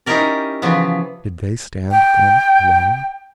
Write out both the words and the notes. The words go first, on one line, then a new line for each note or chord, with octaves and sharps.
Did they stand then alone?
C#4 D#4 E4 G4 A#4 D5
C#3 E3 F3 B3
G5